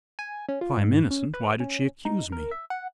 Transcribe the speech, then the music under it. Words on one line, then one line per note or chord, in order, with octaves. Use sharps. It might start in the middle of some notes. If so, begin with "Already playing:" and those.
"If I am innocent, why did she accuse me?"
G#5
C#4
F4
G#2
C#4
B4
C#4
D#4
A#4
E5
F#5